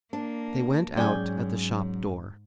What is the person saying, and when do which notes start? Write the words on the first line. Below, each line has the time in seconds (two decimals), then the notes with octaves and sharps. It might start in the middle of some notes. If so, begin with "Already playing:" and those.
They went out at the shop door.
0.13 A#3 D4
0.97 G#2 F#3 C#4 G#4 D5 G5 G#5